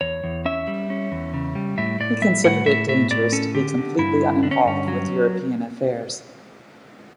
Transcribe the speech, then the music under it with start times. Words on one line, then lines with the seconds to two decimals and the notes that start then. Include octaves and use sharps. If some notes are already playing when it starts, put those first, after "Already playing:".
He considered it dangerous to be completely uninvolved with European affairs.
0.01 E2 C#5
0.24 E2
0.45 C#4 E5
0.67 G3
0.90 C#4
1.12 E2
1.34 C#3
1.55 G3
1.78 A2 E5
2.00 A2 D5
2.22 G3 E5
2.44 A2 F#5
2.66 A2 E5
2.88 A2 E5
3.11 A2 D5
3.32 C#4 A4
3.55 D3 G4
3.78 D3
3.98 G2 E4
4.21 D3
4.43 D3 D4
4.51 C#4
4.65 G2 C#4
4.88 F#3